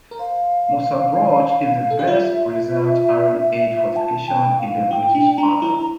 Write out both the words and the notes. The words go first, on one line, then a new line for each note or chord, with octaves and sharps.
Mousa Broch is the best preserved Iron Age fortification in the British Isles.
A#4
C5 F5
A4
G4
F4 E5
A5
G5
F5
E4 G5
D4
D4 A#5
E4
A#5